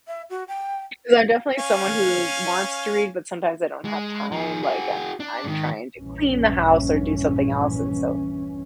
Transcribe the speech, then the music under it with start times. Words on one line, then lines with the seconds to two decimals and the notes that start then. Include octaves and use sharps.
'cause I'm definitely someone who wants to read, but sometimes I don't have time, like I'm I'm trying to clean the house or do something else, and so
0.08 E5
0.30 F#4
0.48 G5
1.58 C#4 F5 G#5
3.85 G#3
4.32 F3 G#4
4.63 F#4 G#4
5.20 D4
5.44 G#2 D#3
5.99 A#1 E2 G2 E3 C#4